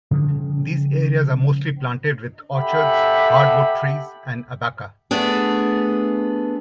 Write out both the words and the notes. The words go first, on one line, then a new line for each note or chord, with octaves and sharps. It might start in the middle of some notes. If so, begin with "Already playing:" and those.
These areas are mostly planted with orchards, hard wood trees and abaca.
C#3 F3 G3 C#4
G4 A4 E5 F#5 B5
A3 B3 D4 G#4